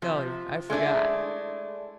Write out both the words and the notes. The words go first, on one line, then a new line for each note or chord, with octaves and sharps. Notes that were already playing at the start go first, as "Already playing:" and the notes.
Golly, I forgot.
C3 F3
G#3 A3 D4 E4